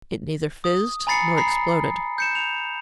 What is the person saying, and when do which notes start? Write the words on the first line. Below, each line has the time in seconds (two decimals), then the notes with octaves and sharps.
It neither fizzed nor exploded.
0.64 D#6
1.07 G#5 A#5 B5 A6 C7 C#7
1.37 A#5 B5 C7
2.18 G6 C#7 E7
2.35 F7